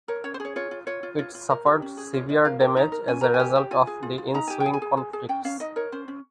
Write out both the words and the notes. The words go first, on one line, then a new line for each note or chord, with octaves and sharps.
It suffered severe damage as a result of the ensuing conflicts.
A#4 C#5
C#4 C#5
C5
G#4
C#5
F4 C#5
F4
F4 C#5
F4
F4 C#5
F4
A#4
G4
C#4
G#4
F4 C#5
F4 D#5
A#4 F5
A#4 G5
D#4 A#5
A#4
C#4 G#5
A#4 A#5
G#5
G4
G4
F4 G#5
G#4
F4
F4
D#4 A#5
G4 G#5
G5
G#4
G#5
G#4
G#4
G#4
C#4 G5
C#4 F5
D#4 D#5
A#4 C#5
C#4 C5
C#4